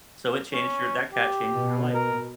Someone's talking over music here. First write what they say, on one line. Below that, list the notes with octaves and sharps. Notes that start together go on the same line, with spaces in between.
So it changed your That cat changed your life.
C#4
G4
B2
A#4